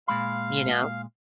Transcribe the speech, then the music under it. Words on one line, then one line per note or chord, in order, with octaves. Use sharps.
You know?
A#2 G#3 F5 B5